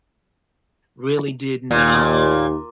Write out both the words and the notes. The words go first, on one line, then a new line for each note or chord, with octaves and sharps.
really didn't, um,
D#2 A#2